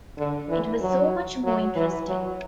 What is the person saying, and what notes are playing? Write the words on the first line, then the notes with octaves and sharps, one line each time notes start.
It was so much more interesting.
D3
E3
F#3
F#3
E3
F#3